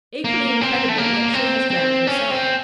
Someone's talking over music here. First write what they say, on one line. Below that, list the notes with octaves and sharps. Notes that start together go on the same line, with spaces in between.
Equally incredible that she has drowned herself.
A#3
C4
A3
A#3
C4
C4
C#4
C4